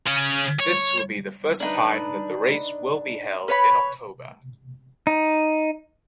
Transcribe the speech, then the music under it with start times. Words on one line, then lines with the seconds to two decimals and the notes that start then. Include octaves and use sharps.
This will be the first time that the race will be held in October.
0.06 C#3 C#4
0.59 C#5
1.60 D4 D#4 B4
3.48 B4 C#5 B5
5.07 D#4